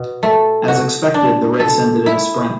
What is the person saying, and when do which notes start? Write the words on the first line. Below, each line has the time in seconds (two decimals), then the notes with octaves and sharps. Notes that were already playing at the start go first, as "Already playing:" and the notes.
As expected the race ended in a sprint.
Already playing: B2
0.23 A3
0.68 F#4
1.14 D4
1.60 A4
2.06 E4